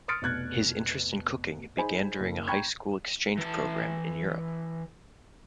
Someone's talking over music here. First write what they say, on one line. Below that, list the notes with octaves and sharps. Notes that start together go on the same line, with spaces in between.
His interest in cooking began during a high school exchange program in Europe.
C6 D#6 F6 A6 C#7 D7
F1 B2 F#6 G#6 A6
D#4 G#4 C5 G#5 B5
F#1
G5 A#5 B5 C#6 G#6
E3 A5